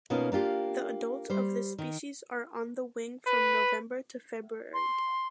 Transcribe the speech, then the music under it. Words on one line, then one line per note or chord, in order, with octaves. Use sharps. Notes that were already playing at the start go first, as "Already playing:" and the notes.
The adults of this species are on the wing from November to February.
B2 A#3 C#4 D#4 F4
A#3 D4 F4 G4
G3 C5
D#3
B4
C6